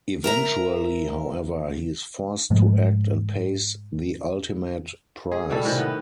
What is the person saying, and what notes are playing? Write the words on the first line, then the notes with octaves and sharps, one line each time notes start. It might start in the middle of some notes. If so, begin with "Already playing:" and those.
Eventually, however, he is forced to act and pays the ultimate price.
A#4 E5 A#5
G#2 F3 G#3 A3
G#4
B2 G3 E4 A4
A2 C3 D#3 C#4
B3